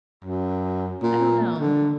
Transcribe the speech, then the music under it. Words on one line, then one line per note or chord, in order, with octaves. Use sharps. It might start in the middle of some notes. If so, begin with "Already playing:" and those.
I don't know.
F#2
A#2
D3